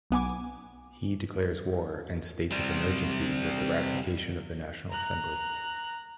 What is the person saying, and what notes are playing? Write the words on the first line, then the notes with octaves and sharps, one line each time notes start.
He declares war and states of emergency with the ratification of the National Assembly.
B1 B3 G#5 D6
C3 G3
A#5 F#6